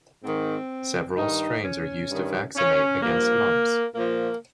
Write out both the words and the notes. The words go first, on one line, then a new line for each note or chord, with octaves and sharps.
Several strains are used to vaccinate against mumps.
G#2 D#3 C4
G2 D#3 D#4
C#4
G2 D#3
C#4
G2 F3 A#3
A#2 F3 A#3